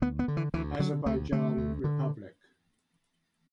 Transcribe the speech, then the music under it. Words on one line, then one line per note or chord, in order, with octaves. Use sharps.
Azerbaijan republic.
D2 B3
B3
D3
E3
D2 E3
D3 F#3
D2 A3
D3 A3
D2
D3